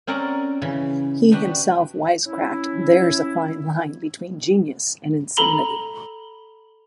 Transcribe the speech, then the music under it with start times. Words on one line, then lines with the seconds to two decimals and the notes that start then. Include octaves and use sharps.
He himself wisecracked There's a fine line between genius and insanity.
0.07 C4 C#4 A#4 D5 F#5 A#5
0.62 C#3 E3
1.31 B3 D4 F#4 G4 B4
2.26 C#4 E4
5.37 A4 A#5 B5 G7